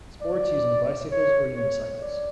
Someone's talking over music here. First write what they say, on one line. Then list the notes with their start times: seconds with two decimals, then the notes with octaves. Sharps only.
Sports using bicycles or unicycles.
0.21 D5
1.11 C#5
1.56 C#5
2.01 D5